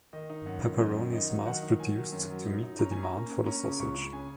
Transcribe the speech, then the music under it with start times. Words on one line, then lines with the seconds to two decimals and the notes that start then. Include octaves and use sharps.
Pepperoni is mass-produced to meet the demand for the sausage.
0.13 D#3 D#5
0.30 D#4
0.46 F#2 F#5
0.63 D#3
0.79 F#2 D#5
0.96 D#3
1.13 D#4 D#5
1.29 F#3
1.46 D#3 F#5
1.62 D#4
1.80 F#3 G#5
1.96 D#3
2.12 F#2
2.30 F#3
2.47 D#4
2.63 D#4
2.79 C#4 A#5
2.91 G#5
2.96 C#4
3.03 A#5
3.13 A#3
3.30 C#4
3.46 C#4 A#5
3.63 C#3
3.79 C#2 C#6
3.96 C#3
4.13 C#4 G#5